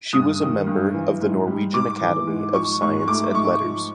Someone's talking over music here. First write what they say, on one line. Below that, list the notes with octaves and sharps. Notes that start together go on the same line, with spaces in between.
She was a member of the Norwegian Academy of Science and Letters.
G2 D#6
D#3
G2
E3
G#2
G3
G#2 D6
E3
G#2
F3 C#6
G#2 C#6
A3 D6
G#2 C#6
F3